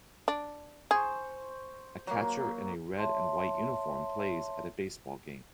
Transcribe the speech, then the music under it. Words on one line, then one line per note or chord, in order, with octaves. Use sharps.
A catcher in a red and white uniform plays at a baseball game.
D4
G#4 C5 C#6
F#3 A#3
C#5 E5 A5 C6